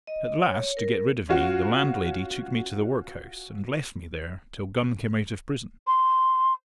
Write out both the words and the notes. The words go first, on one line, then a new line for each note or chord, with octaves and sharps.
At last, to get rid of me the landlady took me to the workhouse, and left me there till Gun came out of prison.
D#5
C#5
A#4
C#4 F4 F#4
C6